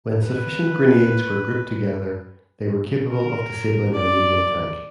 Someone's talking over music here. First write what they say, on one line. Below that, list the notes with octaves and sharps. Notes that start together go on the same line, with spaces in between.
When sufficient grenades were grouped together, they were capable of disabling a medium tank.
B4
A#4
D5